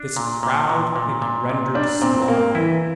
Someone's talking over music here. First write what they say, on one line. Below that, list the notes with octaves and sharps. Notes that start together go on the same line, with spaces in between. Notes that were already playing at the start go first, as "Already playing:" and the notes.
This crowd may be rendered sublime.
Already playing: D4
A#2
A#2
A#2
A#2
A#2
A#2
G3 D4
A#2 C4
C4
A#2 A#3
E3 E4